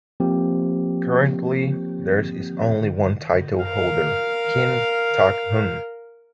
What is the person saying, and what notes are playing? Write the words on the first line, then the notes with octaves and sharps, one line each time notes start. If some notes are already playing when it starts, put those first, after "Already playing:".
Currently there is only one title holder, Kim Tok-hun.
F3 A#3 C4 G4
A#4 F5